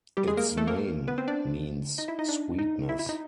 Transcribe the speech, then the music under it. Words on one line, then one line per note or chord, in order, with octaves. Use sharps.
Its name means "sweetness".
G3 G4
G#3 G#4
A#3 A#4
A3 A4
A#3 A#4
B3 B4
C4 C5
D4 D5
D#4 D#5
E4 E5
D#4 D#5
D4 D5
D#4 D#5
E4 E5
E4 E5
D#4 D#5